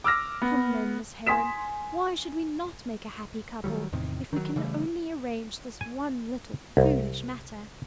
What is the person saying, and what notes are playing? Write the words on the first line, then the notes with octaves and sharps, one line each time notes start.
Come, then, Miss Heron, why should we not make a happy couple, if we can only arrange this one little foolish matter?
D6 E6 F6 A#6
B3
G#5 C6 D#6 B6 E7
D#3 E3 F#3 G3
E2 A2 C3 D#3
D#3 F#3
C#3 E3 G3 A3
G#5
C2